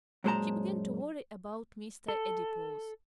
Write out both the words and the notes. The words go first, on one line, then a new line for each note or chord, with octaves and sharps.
She began to worry about Mr. Adipose.
F#2 A#2 G#3 C5 A5 A#5
A4